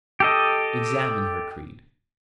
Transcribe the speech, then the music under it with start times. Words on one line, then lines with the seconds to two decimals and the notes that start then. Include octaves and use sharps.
Examine her creed.
0.20 G4 A4 D#5